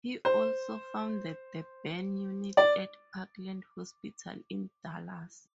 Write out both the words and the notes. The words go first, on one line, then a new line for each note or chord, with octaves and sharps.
He also founded the burn unit at Parkland hospital in Dallas.
C5
D5